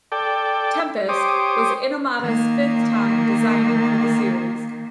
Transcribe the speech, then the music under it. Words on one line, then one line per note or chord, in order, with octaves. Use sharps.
"Tempest" was Inomata's fifth time designing for the series.
A4 D5 G5
G4 C5 C#5 D6 D#6
D#3 A#3